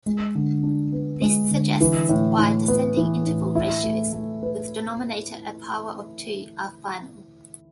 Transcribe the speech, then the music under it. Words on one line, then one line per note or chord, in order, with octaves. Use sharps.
This suggests why descending interval ratios with denominator a power of two are final.
G#3
D3
D4
B3
G#3
D3
E3
A2
A2
B3
E3
A2
E4
A3
A3
B4